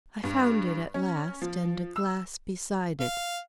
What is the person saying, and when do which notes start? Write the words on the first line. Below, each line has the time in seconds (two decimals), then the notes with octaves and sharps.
I found it at last and a glass beside it.
0.24 G2
0.94 C#4
1.42 F3
1.96 E6
3.00 F5